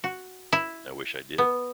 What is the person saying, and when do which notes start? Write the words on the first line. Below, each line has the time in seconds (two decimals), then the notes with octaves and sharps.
I wish I did.
0.04 F#4
0.53 E4
1.38 B3